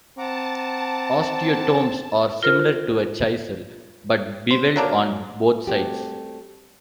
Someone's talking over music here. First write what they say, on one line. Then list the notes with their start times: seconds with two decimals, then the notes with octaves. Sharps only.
Osteotomes are similar to a chisel but bevelled on both sides.
0.18 C4 F#5 A5 A#5 D6
2.43 F4 A#4 C5 F6
4.51 C5
4.76 F#3 A#3 D4 A#4
5.67 G3 A3 C4 F#4 G4